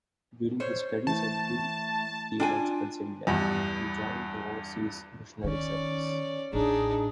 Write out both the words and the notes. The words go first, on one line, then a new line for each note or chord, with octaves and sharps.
During his studies at Drew Theological Seminary, he joined the overseas missionary service.
C5 C#5
E3 A3 A5
D4 F4 G5 G#5
E2 G2
D#3 C#4 D5
A1 D4 D#4 G#4